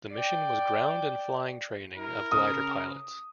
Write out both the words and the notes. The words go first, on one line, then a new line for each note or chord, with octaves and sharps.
The mission was ground and flying training of glider pilots.
D5 G5
E4 A#4
C#3 D#6